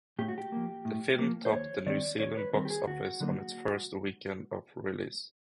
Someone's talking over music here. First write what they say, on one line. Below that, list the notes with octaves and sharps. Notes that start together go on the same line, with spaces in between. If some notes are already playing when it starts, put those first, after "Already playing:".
The film topped the New Zealand Box Office on its first weekend of release.
A2 G4
F#4
G4
F3 A#3
A2
F3 A#3
C5
D#2 C#5
D#3 G3 C4 D5
D#2 C#5
B4
D#3 G3 C4 A#4
G4
G#4
D2 F#4
D3 F#3 A#3 D#4